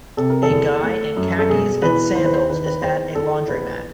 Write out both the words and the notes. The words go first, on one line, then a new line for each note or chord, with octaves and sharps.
A guy in khakis and sandals is at a laundry mat.
C3 A4
A#4
A4
E2
A3
F#2
A4
E1 G#4
E3 B4
D#2 C5
B4
C5
D#3 B4
B4
E2 C5
E2 A4
A#1 B4